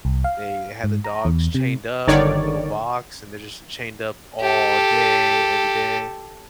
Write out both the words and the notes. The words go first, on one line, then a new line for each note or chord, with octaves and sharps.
they had the dogs chained up in, like, a little box and they're just chained up all day, every day.
C2
F5
G#2
A#5
E2
C3
G1 D3 D#3 C#5 D5
G4 A4